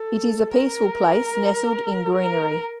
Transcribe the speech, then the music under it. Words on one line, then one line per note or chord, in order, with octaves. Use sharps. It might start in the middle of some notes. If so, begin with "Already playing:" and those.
It is a peaceful place nestled in greenery.
Already playing: A4
A#4
A#4